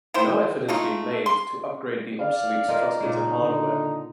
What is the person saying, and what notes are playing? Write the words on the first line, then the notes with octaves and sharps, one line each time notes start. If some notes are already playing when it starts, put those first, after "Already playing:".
No effort has been made to upgrade the obsolete transmitter hardware.
D#3 E4 C5
A3 D#4 F4
C6
D5 F5
D#4 F4 A#4
A#2 C#3 A#3 D#4
D3